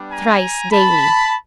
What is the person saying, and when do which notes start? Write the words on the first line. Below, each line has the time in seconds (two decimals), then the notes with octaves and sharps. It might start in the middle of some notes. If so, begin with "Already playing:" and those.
Thrice daily.
Already playing: G3 B3 D4
0.11 G#5 A#5
0.71 A5 B5